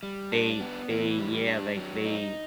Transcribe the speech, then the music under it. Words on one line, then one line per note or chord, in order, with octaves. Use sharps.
they they yeah, like, they
G3
D4
B3
E3
G3
D4
F#3
D#4